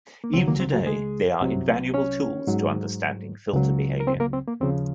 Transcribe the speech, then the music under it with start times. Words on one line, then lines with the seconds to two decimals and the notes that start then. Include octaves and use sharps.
Even today, they are invaluable tools to understanding filter behavior.
0.24 A#3
0.34 C#2 C#3 F#3 C4
0.48 A#3
0.60 C4
0.73 F#3 F#4
0.87 G#3 G#4
1.41 C2 C3 F#3
1.94 C#4 C#5
2.47 G#2 F#3
3.53 C#2 C#3 F#3
4.00 A#4
4.07 C4 C5
4.20 A#3 A#4
4.33 C4
4.48 A#3
4.60 D#2 C#3 F3 C4